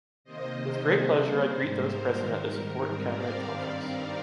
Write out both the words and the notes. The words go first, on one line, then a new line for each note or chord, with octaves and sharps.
With great pleasure I greet those present at this important cabinet conference.
C3 D#3 A#3 C5 D#5
C5 D#5
C3 G3 A#3 C5
C5
G#2 G3 A#3
A#4
G#2 D#3 G3
A#4
G#2 G3 C4 A#4
D5 F5
G2 D#3 G3 C4
A#4 D5